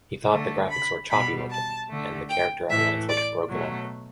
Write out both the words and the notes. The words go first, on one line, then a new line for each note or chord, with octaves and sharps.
He thought the graphics were "choppy" looking, and the character outlines looked "broken up".
D3 A3
B5
B2 G3 B5
A5
D3 A3
G5
A2 E3 A3 E5
D5
B2 F#3 A3